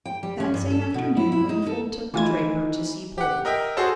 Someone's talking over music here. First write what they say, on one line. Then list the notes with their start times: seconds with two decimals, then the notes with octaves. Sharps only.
That same afternoon, Wingfold took the draper to see Polwarth.
0.05 G5
0.23 G3
0.40 C#4
0.54 G2
0.70 A4
0.94 B2
1.17 E4
1.32 E4
1.49 D#4
1.66 A4
2.14 E3 A3 D#4 F4 G#6
3.18 G4 F#5
3.45 A#4 D#5 E5 G5
3.77 F#4 G#4 A4 C5 C#5 A5